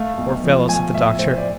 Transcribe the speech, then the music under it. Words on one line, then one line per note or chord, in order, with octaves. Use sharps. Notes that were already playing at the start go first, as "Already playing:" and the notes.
"Poor fellow!" said the doctor.
Already playing: A3 F5
B1
F3
A3 G#5
A2 E5
A3 C5
D5